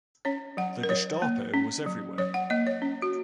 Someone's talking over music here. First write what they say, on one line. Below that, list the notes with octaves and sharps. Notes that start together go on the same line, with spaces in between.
The Gestapo was everywhere.
C#4 C#5
F#3 F#5
A#4
F#3 C#5
A#3
C#4
F#3
F#3 C#5
F#5
A#3 D#5
C#5
C#4
F#4